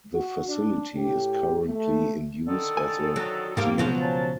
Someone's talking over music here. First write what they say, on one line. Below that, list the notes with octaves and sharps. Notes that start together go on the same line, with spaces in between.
The facility is currently in use as a museum.
F#4
D4
A2 G4
A3
D3 D#3 A4
G#5
F#3
G#2 G3 A#3 G4
C#2 B2 F3 F#3 B3
C#4 A#4 A5